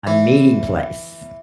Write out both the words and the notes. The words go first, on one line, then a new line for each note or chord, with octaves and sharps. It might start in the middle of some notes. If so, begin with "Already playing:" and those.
A meeting place.
E3